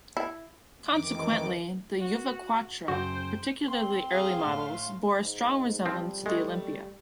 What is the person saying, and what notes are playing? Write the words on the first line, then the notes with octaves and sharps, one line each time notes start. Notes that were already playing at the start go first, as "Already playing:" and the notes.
Consequently, the Juvaquatre, particularly early models, bore a strong resemblance to the Olympia.
E4
F2 D#3 E3 D6
F#4
F#2 C#3 F#4 C5 G5
C4 C6
G#4 F5
A2
G#2
F3 G3 C4
G#3 A3